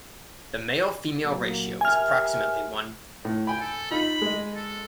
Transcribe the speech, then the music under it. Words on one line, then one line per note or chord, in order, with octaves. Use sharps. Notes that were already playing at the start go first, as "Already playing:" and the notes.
The male:female ratio is approximately one.
A#2 F#3 A#3
G4 A#4 E5 G#5 F6
A2
G5 G#5 B5
A4
D#4 F4 B5
G#3 D#5
A4